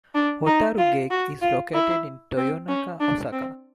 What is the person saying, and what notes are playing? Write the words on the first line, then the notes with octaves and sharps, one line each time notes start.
Hotarugaike is located in Toyonaka, Osaka.
D4
D#4
F4
F#4
F4
E4
C4
C#4
D4
C4